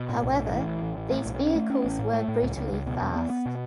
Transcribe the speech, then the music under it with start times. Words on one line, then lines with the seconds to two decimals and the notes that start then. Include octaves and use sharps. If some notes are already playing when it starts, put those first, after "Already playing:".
However, these vehicles were brutally fast.
Already playing: B2
0.09 A2
0.23 B1
0.39 A2
0.53 E3
0.67 A1
0.82 A1
0.97 A1
1.11 A2
1.26 B1
1.40 C#4
1.56 A3
1.70 C#4
1.85 A1
1.99 A2
2.13 A3
2.28 A2
2.43 C#2
2.57 C#2
2.72 C#2
2.87 B2
3.01 E2
3.16 B3
3.30 B3
3.46 B2